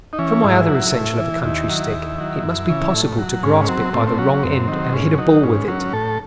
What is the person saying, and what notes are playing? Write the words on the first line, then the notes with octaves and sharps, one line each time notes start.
And, for my other essential of a country stick, it must be possible to grasp it by the wrong end and hit a ball with it.
D#4
E3 C#4
G#2 E4
F#3
A2
E3
D#2 E4
D#3 F#3
D#2
D#3 F#3
F#2
C#3 E3
A2
F#3
G#2 C#4
C#4
F#3 C4
A2 C4
C4
F#3 C#4
C#4
F#2 C4
D#3 F#3
G#2 C#4
F#3 D#4
G#2 C#4
F#3 C#4
A2 A4